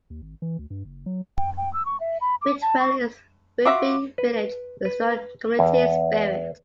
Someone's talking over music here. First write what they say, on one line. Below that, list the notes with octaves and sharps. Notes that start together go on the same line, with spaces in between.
Whitwell is a thriving village with strong community spirit.
D#2
G#1
E3
D2
G2
F#1
F#3
G5
G5
E6
C#6
E5
B5
D6
A5
C#6
F4 F#4 E5 D6
B4
B4
E2